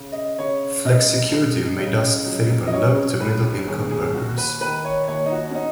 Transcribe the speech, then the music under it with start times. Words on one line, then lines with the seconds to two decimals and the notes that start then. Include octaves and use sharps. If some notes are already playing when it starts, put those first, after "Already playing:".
Flexicurity may thus favour low- to middle-income earners.
Already playing: C#3
0.12 D#5
0.39 C#3 C#5
0.85 C#2 D#5
1.32 C#2
1.79 C#3
2.26 F#3
2.67 D#5
2.73 F#3 C#5
3.20 C#2 B4
3.67 D#2 G#4
3.91 G#4
4.14 D#2 F#4
4.38 B4
4.61 D#3 B4
4.85 C#5
5.08 D#2 C#5
5.26 D#4
5.32 F#4
5.51 C#4
5.55 D#4